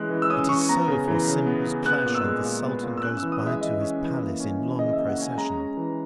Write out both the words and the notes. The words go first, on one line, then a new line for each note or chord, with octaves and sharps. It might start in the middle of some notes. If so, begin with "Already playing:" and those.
It is so, for cymbals clash, and the Sultan goes by to his palace in long procession.
Already playing: E3 G#3 C#4 F#6
E3
E6
C#4 D#6
E3 C#6
B3 A#5
C#3
E3
C#3
B3
C#3
B3 F#6
A#2
E6
G#3
A#2
B3
A#2
E6
C#4 F#6
E6
E3
D#6
G#3 E5
E3 D#5
C#4
E3
A#3
C#4
E3
C#3 D#5
A#3 E5
F#5
C#4 G#5
G#3 A#5
C#4
E3